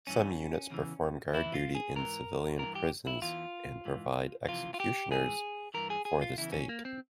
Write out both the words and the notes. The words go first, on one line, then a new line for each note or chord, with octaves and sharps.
Some units perform guard duty in civilian prisons and provide executioners for the state.
G2 E3 C#4
E2 C#3 E3
E2 E3 E4
F4
G#4
G#2 E3 A#4
G2 E3 A#4
G4
E4
E2 E3 F4
G#2 E3
F2 C3 E3 F4
F4
G4
G#2 E3 G#4
G2 E3 A#4
G#4
G#4
F4
E2 C#3 E3 E4
C#4
A#3
C4